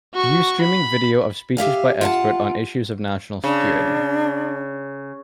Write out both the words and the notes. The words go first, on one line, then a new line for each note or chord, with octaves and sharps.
View streaming video of speeches by experts on issues of national security.
F#4 C#6
B5
G4 E5 F5 G#5
F4 F#5 A5
C#3 D4